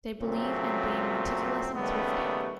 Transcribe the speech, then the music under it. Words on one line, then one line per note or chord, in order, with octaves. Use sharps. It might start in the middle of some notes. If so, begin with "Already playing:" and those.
They believe in being meticulous and thrifty.
A#2 C#3 F#3 A3 C4
D#2 C#3 G3 A3 B3